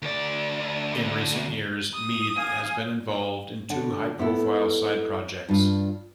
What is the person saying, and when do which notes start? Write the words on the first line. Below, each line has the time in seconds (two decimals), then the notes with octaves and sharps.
In recent years, Mead has been involved in two high- profile side projects.
0.02 D2 D5
1.94 D#6
2.37 F5 G#5
3.70 D3 F#5
4.19 B3 E4 A4
5.49 G2 F4